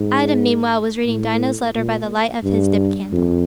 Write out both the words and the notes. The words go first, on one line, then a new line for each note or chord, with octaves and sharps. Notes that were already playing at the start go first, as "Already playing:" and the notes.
Adam, meanwhile, was reading Dinah's letter by the light of his dip candle.
Already playing: G#2
A2
A#2
G2
F2